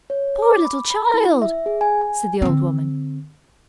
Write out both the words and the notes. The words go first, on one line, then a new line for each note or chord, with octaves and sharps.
"Poor little child!" said the old woman.
C#5
D6
B5
B5
E4
E5
G#4
G#5
G#5
D3 C4